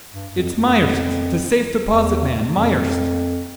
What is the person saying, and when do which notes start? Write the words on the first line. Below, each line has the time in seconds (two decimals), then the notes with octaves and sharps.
"It's Myerst--the Safe Deposit man. Myerst!"
0.13 G2
0.35 F2
0.57 F2
0.65 F#2
0.73 F2
1.87 E2
2.51 F2